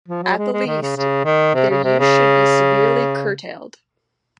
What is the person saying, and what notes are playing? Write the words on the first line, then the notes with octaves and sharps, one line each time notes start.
At the least, their use should be severely curtailed.
F3
F#3
G#3
G#3
D#3
C#3
C#3
D#3
C3
C#3
C3
C#3